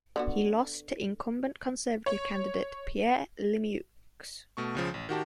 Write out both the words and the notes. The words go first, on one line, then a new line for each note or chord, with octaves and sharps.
He lost to incumbent Conservative candidate Pierre Lemieux.
D3 B3 F#4
C#5
B2 A3 C#6
C#2 C#3 F3
A1
D#3 F#4 G4 A5